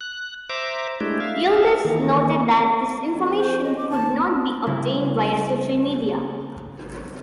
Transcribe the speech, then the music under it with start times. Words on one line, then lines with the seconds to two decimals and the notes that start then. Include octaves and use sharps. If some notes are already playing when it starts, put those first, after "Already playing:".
Yildiz noted that this information could not be obtained via social media.
0.01 F#6
0.50 C5 E5 A#5 D6
1.01 G#3 A3 D4 E4 G4
1.20 E5 F5
1.85 D#3 E3 A#3
3.14 F2
3.34 C5
3.64 D#5
3.77 D6
3.90 D#2 A5
4.67 C#3 G3 A3 C4 E4